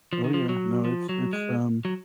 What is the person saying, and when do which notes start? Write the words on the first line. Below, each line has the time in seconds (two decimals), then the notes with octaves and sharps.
Oh yeah, no, it's it's, um
0.13 F3
0.24 D#3
0.34 F3
0.49 F#3
0.85 F3
1.09 F#3
1.33 G#3
1.85 F#3